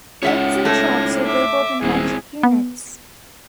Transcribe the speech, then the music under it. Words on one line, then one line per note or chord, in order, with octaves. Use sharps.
Goods in shops are labelled in metric units.
C#2 D#4 E4 G#4 C#5 E5 F#5
A3 A4 G#6 A#6
E5 D6
D#1 G#2 C4 E4 G#4
B3